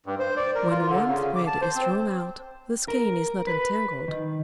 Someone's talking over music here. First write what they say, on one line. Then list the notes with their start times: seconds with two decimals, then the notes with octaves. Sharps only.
When one thread is drawn out, the skein is not untangled.
0.06 G2
0.19 C5
0.37 D5
0.55 A#4
0.70 F4
0.89 D3
1.08 C#3
1.36 D6
1.47 A5
1.62 C5
1.75 C4
2.88 A#4
3.47 B4
4.08 D#3